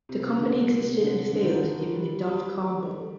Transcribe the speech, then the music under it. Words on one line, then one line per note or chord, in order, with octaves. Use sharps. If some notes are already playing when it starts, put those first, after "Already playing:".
The company existed and failed during the dot com bubble.
C3
C3
C3
D3
C3
C3
D3
D3
D#3
D3
D#3
G3
G3
G3